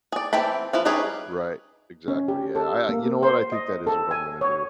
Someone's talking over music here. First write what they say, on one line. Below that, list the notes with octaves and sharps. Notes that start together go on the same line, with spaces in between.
Right. Exactly, yeah. I I you know what? I think that is what I'm gonna do.
G#4 D5
E3 C4 G5 A5 B5
F3 E4 B4
G3 C#4 D#4 G#4 B4
C#4
G4
A4
A#3
C5
D#5
A4
G#5
C#5